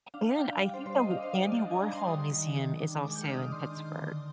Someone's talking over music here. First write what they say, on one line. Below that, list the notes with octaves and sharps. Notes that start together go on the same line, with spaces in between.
And I think that Andy Warhol Museum is also in Pittsburgh.
D4 F5
F5
D4 G5
F5
G3 F5
C5
G3 C5
D#5
D4 F5
C5
G3 D5
D#5
D4 F5
G#5
D4 A#5
C6
G3 D#6
D#3
D#3
D4
G#3 D6
G6
D#3 F6
D#6
D6
D4 C6
D#3
D3